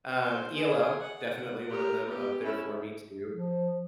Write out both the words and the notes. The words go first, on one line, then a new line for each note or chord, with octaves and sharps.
Um, ELO, definitely one of them up there for me too.
C5
G#4
F#5
G4 A#4
B3 G4
C#4 E4
F3